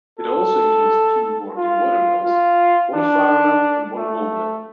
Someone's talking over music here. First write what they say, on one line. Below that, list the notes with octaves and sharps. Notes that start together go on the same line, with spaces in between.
It also includes two working water mills: one flour mill and one wool mill.
A4
F4
F4
D4
A3